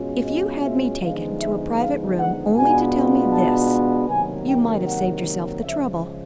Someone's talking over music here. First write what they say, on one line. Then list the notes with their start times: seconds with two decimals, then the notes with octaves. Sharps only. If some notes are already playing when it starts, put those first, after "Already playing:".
If you had me taken to a private room only to tell me this, you might have saved yourself the trouble.
Already playing: B2 G#3 C#4 F4
0.24 D#5
0.63 E5
1.01 D3 F3 G#3 B3 D#4 F5
1.39 E5
1.78 F5
2.16 F#5
2.54 B2 G#3 B3 D4 F4 G#5
3.32 A5
4.08 C3 D#3 F#3 A#3 G#5
4.47 G5
4.85 F#5
5.62 C#3 F3 G#3 E5